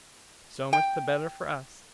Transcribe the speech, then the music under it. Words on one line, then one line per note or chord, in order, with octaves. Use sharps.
"So much the better for us."
G5